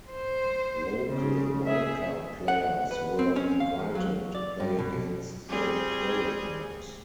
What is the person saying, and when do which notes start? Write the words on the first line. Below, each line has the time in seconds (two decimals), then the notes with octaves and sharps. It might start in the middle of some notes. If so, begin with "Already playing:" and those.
Local wild-card players were invited to play against the qualifiers.
0.10 C5
1.08 C#3
1.66 G#4 E5
2.48 F#5
2.91 B4
3.19 C4
3.36 C#4
3.60 F5
3.79 E2
3.95 F#3
4.35 D5
4.60 G2
4.79 B2
5.49 G3 C4 G#4